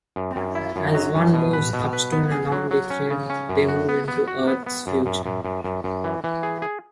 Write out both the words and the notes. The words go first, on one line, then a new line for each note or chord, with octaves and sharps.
As one moves Upstone along the thread, they move into Earth's future.
F#2
F#2
E4
F#2
F#3
F#2
B2
B4
B2
B4
B3
G#4
F#3
F#3
C#4
C#3
C#4
F#2
F#4
B3
B3
F#4
B3
B3
F#2
F#2
F#2
F#2
F#2
F#2
E3
E3
G#4
G#4